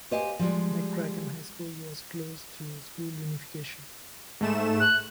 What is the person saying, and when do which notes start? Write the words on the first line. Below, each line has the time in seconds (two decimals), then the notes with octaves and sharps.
McCracken High School was closed through school unification.
0.11 G4 C5 D#5 F5 G#5
0.39 F3 G3 G#3
4.41 G#2 A3 E7
4.80 F#6